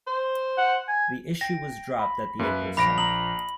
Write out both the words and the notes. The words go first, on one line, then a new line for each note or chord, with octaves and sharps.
The issue was dropped at the April summit.
C5
F#5
G#5
G5 A#6
B5
F#2 A#3 B4
A#1 B5 A#6 D7
A#5 D#6 F#7